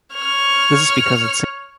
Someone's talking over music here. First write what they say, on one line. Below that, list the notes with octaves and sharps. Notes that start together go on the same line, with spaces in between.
This is because it symbolizes good luck and prosperity.
C#5 F6